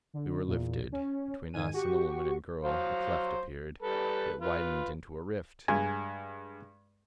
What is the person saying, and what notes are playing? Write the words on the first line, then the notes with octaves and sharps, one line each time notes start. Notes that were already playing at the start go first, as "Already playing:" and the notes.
We were lifted; between us and the woman and girl a cleft appeared; it widened into a rift.
D3
E2 A#2
C#4
G#2 D#3 G#5 D#7
F#4 G4 C#6
F#3 C5 F5
G3 A4 B4
F4 B4
G2 G#3 G#5